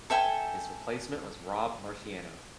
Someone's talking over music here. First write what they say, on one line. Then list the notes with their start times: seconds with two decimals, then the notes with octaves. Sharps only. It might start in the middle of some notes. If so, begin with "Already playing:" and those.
His replacement was Rob Marciano.
0.10 A4 E5 G5 G#5